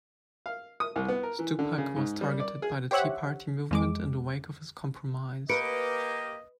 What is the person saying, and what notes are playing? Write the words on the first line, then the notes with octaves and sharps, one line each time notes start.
Stupak was targeted by the Tea Party movement in the wake of his compromise.
F5
D#6
C2
B3
A#4
E3
D3
C#3
G#2
G3
D5
G#4
G4 C5 C#5 E5 F#5
F2 G#3 D6
A#3 G4 B4 D#5 C#7 D7